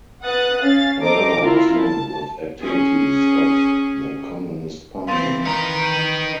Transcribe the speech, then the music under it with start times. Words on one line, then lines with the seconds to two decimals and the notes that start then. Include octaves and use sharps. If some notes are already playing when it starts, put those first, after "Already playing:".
Another was linked with activities of the Communist Party.
0.23 B4 F#5 D#6 F#6 A6
0.61 C#4 F5 A6
1.00 A4 C5 D#5 A#5 D6
1.40 E4 F4 A#4
1.80 A5
2.61 C#4 G#4
5.07 E3 C4 F5 C6 A6
5.45 D#4 A#4 B4
5.82 G6 D#7 F#7